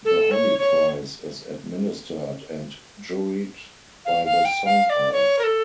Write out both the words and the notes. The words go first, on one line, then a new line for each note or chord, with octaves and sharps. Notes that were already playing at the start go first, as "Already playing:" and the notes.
The Holly Prize is administered and juried by the SongHall.
A4
C#5
C#5
F5
F5
G5
F5
F5
D5
C#5
A#4
A4